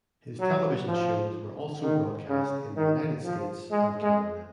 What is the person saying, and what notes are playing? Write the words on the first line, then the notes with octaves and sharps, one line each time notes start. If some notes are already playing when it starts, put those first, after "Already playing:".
His television shows were also broadcast in the United States and Canada.
F#3
F3
D#3
C#3
D#3
F3
G#3
G#3